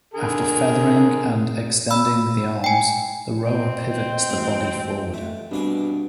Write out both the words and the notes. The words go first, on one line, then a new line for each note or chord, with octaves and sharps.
After feathering and extending the arms, the rower pivots the body forward.
D3 G#4 A#4
B5 E6
G5 G#5
C4 D#5
A1 D2 G5
A3
C2 G2 B2 D4 G#5